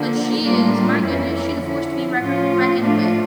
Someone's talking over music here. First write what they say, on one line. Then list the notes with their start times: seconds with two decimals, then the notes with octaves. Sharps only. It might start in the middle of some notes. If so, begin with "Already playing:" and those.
but she is my goodness, she's a force to be reckor reckoned with.
Already playing: D3 F3 A#3
0.44 A2 G3 A#3 D4 F4
1.03 F2 E3 A#3 C#4 E4
1.62 D3 F3 C#4 E4
2.21 A2 F3 C#4 F4
2.79 A2 F3 A3 D4 F4